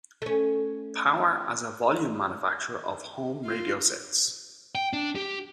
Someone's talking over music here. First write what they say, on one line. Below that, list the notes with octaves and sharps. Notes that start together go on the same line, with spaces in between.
Power as a volume manufacturer of home radio sets.
A3 C#4
F4
G5
D4
G4